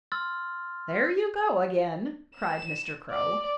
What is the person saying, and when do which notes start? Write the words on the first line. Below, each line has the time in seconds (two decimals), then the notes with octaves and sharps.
"There you go again!" cried Mr. Crow.
0.12 C6 E6 F6 A6
2.37 E7
3.12 D5